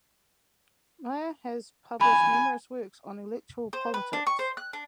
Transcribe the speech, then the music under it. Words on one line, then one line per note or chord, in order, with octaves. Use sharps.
Mayer has published numerous works on electoral politics.
G#5 B5
C5
B4
D4
C#6
C5
F#6
D4